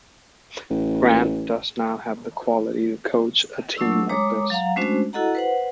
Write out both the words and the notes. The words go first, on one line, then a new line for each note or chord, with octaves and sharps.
Grant does not have the quality to coach a team like this.
A1
F#3 A3 D4 C#6 E6
G#3 C#5 A#5 D6 D#6
F#3 F5 F#5 A#5
G#3 A3 C#4 D4 F#4 C5
E4 F#4 A4 D#5 F#5 A#5
B4 C5 F#5